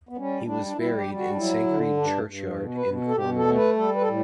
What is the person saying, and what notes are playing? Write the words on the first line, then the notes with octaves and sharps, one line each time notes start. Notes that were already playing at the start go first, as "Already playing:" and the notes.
He was buried in Sancreed churchyard in Cornwall.
B3
G3 C#4
G3 D4
D4
G3 E4
G4
G3
F#4
D4
F#3 E4
D3
G2 D4
G2
B2
B4
B2
A4
B2 G4
A4
A3
B4
G3 A4
B4
A4
A2